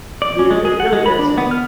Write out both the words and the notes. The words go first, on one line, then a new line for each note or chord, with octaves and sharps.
Dude, it really is, and I
D5
C#4
G#3
G#4
F#5
G#3
B5
D4
B3
F6